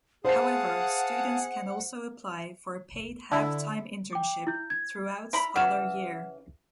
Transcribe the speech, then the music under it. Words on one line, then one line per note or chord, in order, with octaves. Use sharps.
However, students can also apply for a paid halftime internship throughout scholar year.
G#4 C5 F5 F#5 A5 D#6 C7
D3 E4
G5 D6
E4 G6
G#6
E4 A#5 B5
C#3 E3 F#5 F6 E7